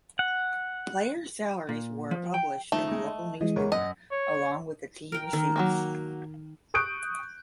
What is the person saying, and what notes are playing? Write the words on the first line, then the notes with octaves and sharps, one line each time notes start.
Player salaries were published in the local newspaper along with team receipts.
F#5
A#2
F3
G5
D#3 F3 A3 D#4
G#3 D#4
D#5
E3 G#3 D#5
E2 G#3 A#4 C#5
F#2 D#5 F#5
C#5
A#4 G5
D#3
F#3 G#3 A#3
C#6 D#6 F#6 G6 D7